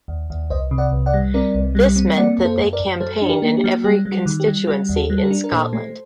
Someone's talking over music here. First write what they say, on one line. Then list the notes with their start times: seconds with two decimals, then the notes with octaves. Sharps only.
This meant that they campaigned in every constituency in Scotland.
0.08 D#2
0.30 D#2
0.50 C2 C5 D#5
0.71 C3
0.78 D5 F#5
0.92 C2
1.06 D5 F#5
1.13 G3
1.34 C4 A#4 D5
1.55 C2
1.75 G3
1.96 C4
2.17 A#3 D5 F#5
2.38 F#2
2.45 A4 C5
2.59 F#2
2.73 A#4 D5
2.80 F#2
3.00 F#3 A4 C5
3.22 D4
3.29 G4 A#4
3.42 A#3
3.57 G4
3.64 F#3
3.84 G3 G4
4.05 G3
4.12 F#4
4.26 D#3
4.40 G4
4.47 G3
4.67 G3 F#4
4.89 D#2
4.96 F#4 A4
5.10 G3
5.18 A4
5.23 G4 A#4
5.31 D4
5.44 A#4
5.52 A#2 A4 C5
5.73 A3